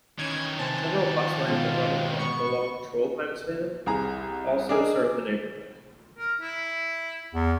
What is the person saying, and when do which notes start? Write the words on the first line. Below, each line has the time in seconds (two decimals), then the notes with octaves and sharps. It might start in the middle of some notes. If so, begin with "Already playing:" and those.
Several bus lines that run along Trondheimsveien also serve the neighbourhood.
0.19 D#3 E3 C#4 G#6
0.59 C3 C5 G#5 A5
1.17 F3
1.47 G#2 B2 F4
2.19 B3 C#6
3.86 C2 G#4 A#5
4.69 D4 D#4 G#4 A#4
6.18 A#4
6.42 E4
7.34 E2